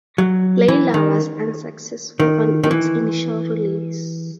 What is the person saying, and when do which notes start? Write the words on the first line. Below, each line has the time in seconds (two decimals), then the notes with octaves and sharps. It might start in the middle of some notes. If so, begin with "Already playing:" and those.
"Layla" was unsuccessful on its initial release.
0.18 F#3
0.68 E3
0.94 D#3
2.20 D#3
2.64 D#3
2.71 E3